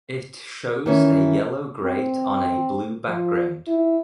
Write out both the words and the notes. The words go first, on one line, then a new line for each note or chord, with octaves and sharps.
It shows a yellow grate on a blue background.
D#3 E3 C#4
C4
F3
E4